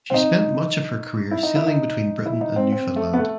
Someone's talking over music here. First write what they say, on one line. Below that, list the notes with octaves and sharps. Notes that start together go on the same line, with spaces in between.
She spent much of her career sailing between Britain and Newfoundland.
C4
D#4
E4
D#4
E4
D#4
E4
D#4
C4
C4
A3
B3
A3